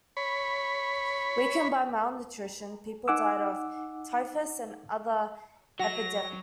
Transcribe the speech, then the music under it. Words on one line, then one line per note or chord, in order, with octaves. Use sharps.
Weakened by malnutrition, people died of typhus and other epidemics.
C#5 B5
D#4 F#5 G#5 D6 E6
F#3 F#4 A#6